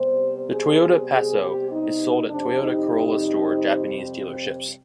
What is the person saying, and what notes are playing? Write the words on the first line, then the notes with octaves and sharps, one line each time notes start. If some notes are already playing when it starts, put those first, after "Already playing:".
The Toyota Passo is sold at "Toyota Corolla Store" Japanese dealerships.
Already playing: C3 G3 B3 C5
G#4
G#4
G4
D#4
F2 C3 G3 C4 D4
D#4